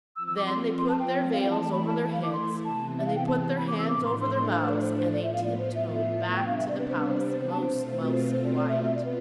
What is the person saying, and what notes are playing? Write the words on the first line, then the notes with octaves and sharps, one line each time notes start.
Then they put their veils over their heads, and they put their hands over their mouths, and they tiptoed back to the Palace most mousy-quiet.
F3 C4 F4 E6
E6
D6
C6
C6
A5
G5
F5
E3 A3 E4 G5
A5
A5
B5
A5
A5
F5
D6
C6
C3 E3 B3 A5
E5
F5
G5
A5
B5
D6
E6
A2 F3 A3 D4 D6
C6
C6
C6
F5
C5
B4
D5
C5
C5
A2 F3 B3 F4 D5
E5
F5
D5
C5
E5
E5
C3 G3 B3 D4 G5
F5
E5
D5
B4
C5
B4
C5
C5
C5
C5
A5
B2 A3 C4 F4 C5
C5
B4
C5
B4
C5
D5
D5
E5
B2 B3 F4 E5
D5
B4